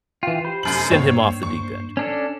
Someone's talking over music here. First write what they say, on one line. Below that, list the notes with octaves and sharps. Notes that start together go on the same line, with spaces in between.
sent him off the deep end.
E3 F4 G5
G4 C5 B5
F1 F#2 F#7
G2 A#3 C4 D4 C#5
C#6
C#4 D4 A4